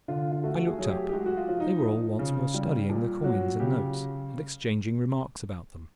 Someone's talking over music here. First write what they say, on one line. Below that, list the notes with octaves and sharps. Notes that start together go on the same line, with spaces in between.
I looked up: they were all once more studying the coins and notes, and exchanging remarks about them.
D3 F4
F4
A3 F#4
G#4
F#3
G#4
G4
G4
G#3 F#4
F#4
F4
F3
D#4
F3
C#3
G3
A#2
F#3 F#4
C#3 G4